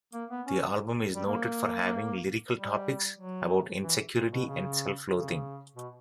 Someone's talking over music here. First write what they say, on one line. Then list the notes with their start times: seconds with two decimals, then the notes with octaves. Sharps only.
The album is noted for having lyrical topics about insecurity and self-loathing.
0.13 A#3
0.31 B3
0.47 C#4
1.15 G3
1.27 A#3
2.55 G3
3.19 F#3
3.83 E3
4.15 A#2
4.32 B2
4.47 C#3
5.12 C#3
5.76 B2